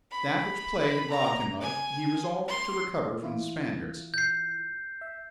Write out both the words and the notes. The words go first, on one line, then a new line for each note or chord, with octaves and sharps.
That which play had robbed him of, he resolved to recover from the Spaniards.
B5
A#5
G#5
C6
E3 E4 F4
G6 C7
E5